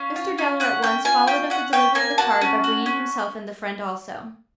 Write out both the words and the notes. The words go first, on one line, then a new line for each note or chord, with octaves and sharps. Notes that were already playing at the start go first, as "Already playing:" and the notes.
Mr. Dowler at once followed up the delivery of the card, by bringing himself and the friend also.
Already playing: C#4 F5
F4
C#4
C#4 F#5
C#4 G5
F4 G#5
C#4 G5
C#4 F#5
C#4 G5
A#3 G#5
F#4 A5
C#4
F#4
C#4